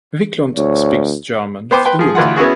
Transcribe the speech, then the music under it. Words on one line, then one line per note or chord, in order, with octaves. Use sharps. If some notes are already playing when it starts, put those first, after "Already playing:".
Wiklund speaks German fluently.
D2 C#5
B3 C5 G5 D6
B4 G5 C6
F3 G#4
D2 E3 F4 F#5
B3 C#4 E4 F#4 G#4